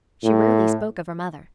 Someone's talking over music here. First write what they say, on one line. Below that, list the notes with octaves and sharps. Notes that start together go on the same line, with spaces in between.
She rarely spoke of her mother.
A2